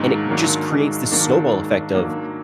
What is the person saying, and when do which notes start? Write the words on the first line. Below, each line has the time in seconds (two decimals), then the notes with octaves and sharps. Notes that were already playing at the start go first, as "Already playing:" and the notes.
and it just creates this snowball effect of
Already playing: G#2 D#3 F#3 A#3 D4
0.29 D#3 F#3 A#3 D4
0.70 G#2
1.12 D#3 F#3 A#3 D4
1.52 G#2
1.93 D#3 F#3 A#3 D4